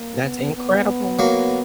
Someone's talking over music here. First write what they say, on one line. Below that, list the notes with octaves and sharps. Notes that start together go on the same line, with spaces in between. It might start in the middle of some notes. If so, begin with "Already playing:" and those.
That's incredible.
Already playing: A#3
B3
B3
F#3 A#3